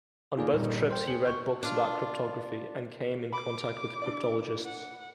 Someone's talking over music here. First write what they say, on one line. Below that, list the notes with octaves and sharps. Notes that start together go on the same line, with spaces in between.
On both trips, he read books about cryptography and came in contact with cryptologists.
D#3 A#3 F4 G#4 D5
G1 A#2 G3 D#4
C5 G5
G#4 C#7 F#7
C#6 G6
D4 F4
B5 D6
D4 E4 D5
F#5